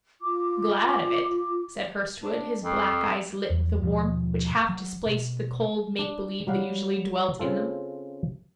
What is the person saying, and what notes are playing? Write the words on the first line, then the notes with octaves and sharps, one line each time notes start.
"Glad of it," said Hurstwood, his black eyes lit with a warmth which half displaced the cold make-believe that usually dwelt in them.
F4 D6
D4
F2
E2
D#2 G#2 B2 F3
F#3
B2
D4
F#3 G3 F5 F#5
C#3 C4 F4 A4